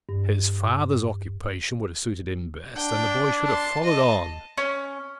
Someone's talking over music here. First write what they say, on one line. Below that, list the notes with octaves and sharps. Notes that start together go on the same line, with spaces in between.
His father's occupation would have suited him best, and the boy should have followed on.
G2
D4 G5
A5 C6
D#5 A5
C#4